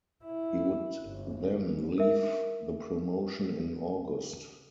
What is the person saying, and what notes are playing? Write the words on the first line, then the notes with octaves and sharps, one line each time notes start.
He would then leave the promotion in August.
E4
G1
A#4 E5